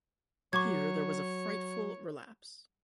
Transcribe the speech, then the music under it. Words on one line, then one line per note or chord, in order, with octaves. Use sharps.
Here there was a frightful relapse.
F#3 C#5 C#6 D6 G#6